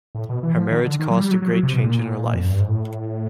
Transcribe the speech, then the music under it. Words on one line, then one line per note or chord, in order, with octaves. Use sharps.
Her marriage caused a great change in her life.
A2
B2
E3
F3
D#3
D3
D#3
F#3
G3
F#3
F#3
F3
F#3
C3
B2
A#2
F2
F#2
G2
G#2
A2